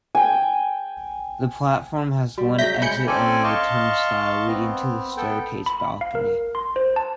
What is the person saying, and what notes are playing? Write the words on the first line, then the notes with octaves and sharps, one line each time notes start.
The platform has one exit-only turnstile leading to the staircase balcony.
G5 G#5
G3 F#4
C#3 F#3 E5 G6 A#6 B6
G#3 G#4 G5 B5 G6 C#7
C4 C#4 A4 D5 G5 G#5
D#5 F5 A5 C6 C#6
B3 C4
B3 A4 G5
B5
F5
A#4
C6
C5
A5